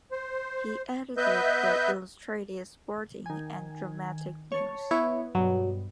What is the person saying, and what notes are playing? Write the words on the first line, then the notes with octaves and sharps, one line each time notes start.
He edited the "Illustrated Sporting and Dramatic News".
C5
B3 B4 D#5 E5 G6
D#3 G#5
C#5 A5 C#6
B3 E4 C#5
G2 B2 F#3